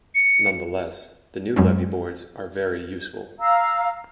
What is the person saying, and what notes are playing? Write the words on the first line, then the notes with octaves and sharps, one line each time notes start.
Nonetheless, the new levee boards are very useful.
C#7
F#2 F#3 G#3 C4 C#4
F5 A#5 E6